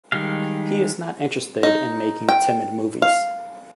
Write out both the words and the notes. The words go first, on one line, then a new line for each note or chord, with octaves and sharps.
He is not interested in making timid movies.
D#3 G3 G#3 F5
D#4
G5
F5